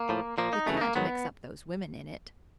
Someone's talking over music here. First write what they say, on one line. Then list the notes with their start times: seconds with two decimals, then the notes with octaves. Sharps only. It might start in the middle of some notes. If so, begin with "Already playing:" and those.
We can't mix up those women in it.
Already playing: A#3
0.09 A2 F3
0.38 A#2 F3 A#3
0.53 D#4
0.66 F#2 C#3 E3 A3
0.81 A#3
0.95 G#2 D#3 F#3 B3